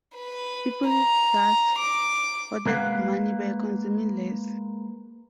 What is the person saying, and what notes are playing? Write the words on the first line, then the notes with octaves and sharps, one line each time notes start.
People thus hoarded money by consuming less.
B4
A#5
D6
G#3 A#3 B4 F5 F#5